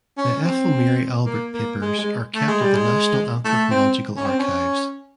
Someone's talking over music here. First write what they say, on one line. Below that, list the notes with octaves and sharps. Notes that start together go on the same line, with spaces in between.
The Ethel Mary Albert Papers are kept at the National Anthropological Archives.
C#4
C4
A#3
A#3
G#3
G#3
A3
G#3
G3
G#3
A3
C4
C#4
C4
C#4